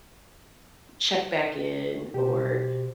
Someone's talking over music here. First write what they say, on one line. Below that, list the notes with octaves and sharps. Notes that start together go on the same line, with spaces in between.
check back in, or,
B2 G4 C5